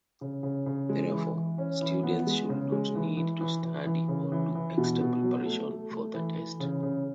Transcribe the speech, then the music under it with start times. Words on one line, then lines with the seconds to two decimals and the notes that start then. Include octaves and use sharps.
Therefore, students should not need to study or do extra preparation for the test.
0.21 C#3
0.43 C#3
0.66 C#3
0.89 G#3
1.12 E3
1.35 E3
1.58 C#4
1.81 E3
2.03 B3
2.27 G#3
2.49 C#3
2.72 G#3
2.95 E3
3.17 E3
3.41 E3
3.63 E3
3.86 E3
4.08 C#3
4.32 E3
4.55 E3
4.78 B2
5.01 B2
5.23 F#3
5.45 A3
5.69 A3
5.92 A3
6.14 E3
6.37 E3
6.60 C#3
6.83 C#3